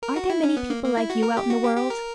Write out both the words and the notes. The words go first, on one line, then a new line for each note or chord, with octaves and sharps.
"Are there many people like you out in the world?"
A#4
F#4
E4
C#4
B3
A#3
A#3
E4
F#4
A#4
G4
F#4
G4
G4
A#4